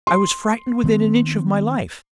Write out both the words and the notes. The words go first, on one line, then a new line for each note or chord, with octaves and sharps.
'I was frightened within an inch of my life.
C6
D#3 B3 C4